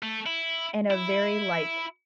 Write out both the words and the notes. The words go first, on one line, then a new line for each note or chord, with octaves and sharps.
in a very, like,
A3
E4
E4